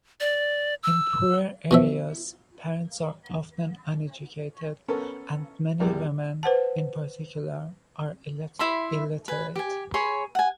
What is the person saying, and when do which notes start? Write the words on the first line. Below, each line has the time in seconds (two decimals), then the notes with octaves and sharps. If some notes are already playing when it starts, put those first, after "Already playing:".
In poorer areas, parents are often uneducated, and many women, in particular, are illiterate.
0.20 D5
0.83 E6
1.71 B2 F3 E5
4.88 B3 C#4 A4 A#4
5.80 A#1 E2 E3 G3 A#4
6.43 B4 C5 F#5 A5
8.59 E4 E5 B5 C6
9.28 B4 G#5
9.56 G4 G#5
9.94 G#4 C#5 B5 C6
10.35 F#5 G#5